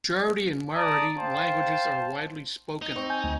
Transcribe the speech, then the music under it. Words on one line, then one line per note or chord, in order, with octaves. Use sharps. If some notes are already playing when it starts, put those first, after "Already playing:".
Gujarati and Marathi languages are widely spoken.
D5 A5 A#5 D#6
C5 F5 G5 A5
D#4
C4 C#6
G#5 G6
D2